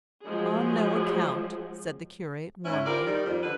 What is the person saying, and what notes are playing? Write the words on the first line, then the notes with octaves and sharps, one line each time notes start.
"On no account," said the curate, warmly.
F3 F#3 G#3 G#4
G#2 C#4 E4
F4 G4 A#4 C5 D5
D#3 G3
F2
D3 B4